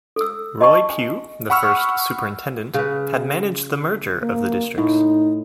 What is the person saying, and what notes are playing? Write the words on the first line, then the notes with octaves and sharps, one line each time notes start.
Roy Pugh, the first superintendent, had managed the merger of the districts.
A4 E6
D#5 A5 C#6
G#5
F#5 B5 C#6 E6 F6
C#3 B4
A#3
A2 D#4